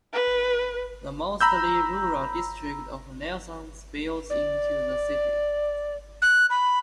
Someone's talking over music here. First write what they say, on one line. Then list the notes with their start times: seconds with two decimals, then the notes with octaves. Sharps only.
The mostly rural district of Nelson spills into the city.
0.13 B4
1.41 A#5 B5 E6 G6
4.30 D5
6.22 F#6
6.50 B5